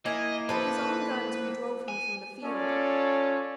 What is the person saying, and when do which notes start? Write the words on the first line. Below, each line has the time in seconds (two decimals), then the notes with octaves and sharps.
With his own guns we drove him from the field.
0.06 A#3 E4 D#5 G#5
0.49 F3 A4 B4 C5
1.88 G#5
2.44 C#4 F4 A4 C#5 D5